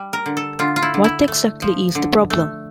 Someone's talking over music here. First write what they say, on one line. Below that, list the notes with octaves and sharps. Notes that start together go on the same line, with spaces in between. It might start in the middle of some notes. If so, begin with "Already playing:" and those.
What exactly is the problem?
Already playing: G3
A#4
D3
A4
D3 F4
F4
E4
D3
E4
A3
F3
D3
A3